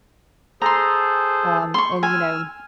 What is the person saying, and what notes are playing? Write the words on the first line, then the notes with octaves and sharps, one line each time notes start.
Um, and, you know,
G#4 A4 C5 A#5 C6
C6 C#6
G#5 E6 F6